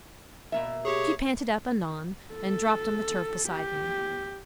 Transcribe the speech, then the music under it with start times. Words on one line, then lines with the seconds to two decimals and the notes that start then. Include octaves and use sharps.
She panted up anon, and dropped on the turf beside me.
0.52 B2 A#3 E5
0.85 G4 G#4 C#5
2.34 A4
3.49 G4